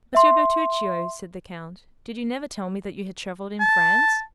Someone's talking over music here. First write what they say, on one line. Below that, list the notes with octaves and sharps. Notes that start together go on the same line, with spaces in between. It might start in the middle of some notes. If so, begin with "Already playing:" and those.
"Monsieur Bertuccio," said the count, "did you never tell me that you had travelled in France?"
E5 C6
A5